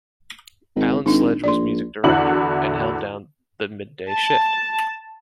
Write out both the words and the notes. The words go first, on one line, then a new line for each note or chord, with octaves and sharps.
Alan Sledge was music director, and held down the mid-day shift.
G#1
G#1 D4 D#4
A#1 D5 C6
E2 D3 E4 F#4 F#5 F#7
A5